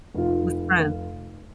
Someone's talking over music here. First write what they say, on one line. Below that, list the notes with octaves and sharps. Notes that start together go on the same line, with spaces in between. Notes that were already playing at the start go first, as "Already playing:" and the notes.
with friends.
F1 F4